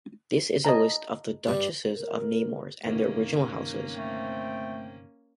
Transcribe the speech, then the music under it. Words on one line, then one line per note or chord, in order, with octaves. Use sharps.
This is a list of the Duchesses of Nemours and their original houses.
D#5 A5 A#5
G2 G3
A#4
G1 C3 D#3 A#3 C#4
A3 C4 G5